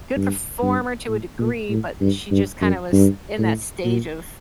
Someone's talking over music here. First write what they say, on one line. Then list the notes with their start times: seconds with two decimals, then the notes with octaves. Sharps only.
good performer to a degree, but she just kinda was in that stage of
0.16 G2
0.62 G2
1.08 A2
1.39 A#2
1.69 A2
2.01 G2
2.31 G2
2.62 F#2
2.93 G2
3.38 A2
3.84 A#2